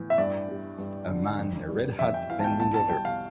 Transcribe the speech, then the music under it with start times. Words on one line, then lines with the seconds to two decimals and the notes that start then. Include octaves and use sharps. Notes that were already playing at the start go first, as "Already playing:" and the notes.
A man in a red hat bending over.
Already playing: A2 E3
0.10 E5
0.18 G2 D5
0.49 G3
0.78 G2
1.09 D3
1.38 F2
1.69 G3
1.99 F2 E5
2.14 G5
2.29 E3 F5
2.39 A5
2.44 G5
2.60 C2 A5
2.74 A5
2.89 G3 G5
3.05 F5